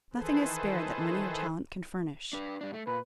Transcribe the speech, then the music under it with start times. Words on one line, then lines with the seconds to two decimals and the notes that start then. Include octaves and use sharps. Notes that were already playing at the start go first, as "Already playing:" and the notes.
Nothing is spared that money or talent can furnish.
0.13 D#3 E3 G#4 A4 B4 C5
2.33 D4 B4
2.61 G2 D4
2.73 A3
2.87 A#2 B4